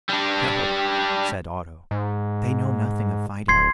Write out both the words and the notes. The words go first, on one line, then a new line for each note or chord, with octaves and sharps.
"No," said Otto, "they know nothing of fighting."
G3 D4
G#2
D1 C6 G#6 C7